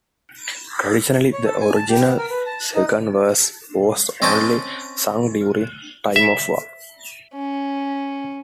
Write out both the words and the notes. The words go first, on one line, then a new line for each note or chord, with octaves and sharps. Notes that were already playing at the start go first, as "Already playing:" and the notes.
Traditionally the original second verse was only sung during time of war.
C#5
A4
G#5
A5
G4
B3
A#4
B4
A5
F#6
D#4
C4 C#4 D#5 G5 A5
E5
C#4